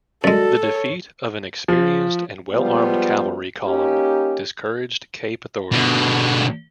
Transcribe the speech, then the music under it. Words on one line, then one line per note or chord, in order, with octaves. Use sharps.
The defeat of an experienced and well-armed cavalry column discouraged Cape authorities.
F#2 G#3 F#4 A4 D5
C#5
F3
F3 G3 G#3 B3 F4
A#3 C#4 D#4 G4
B2 D3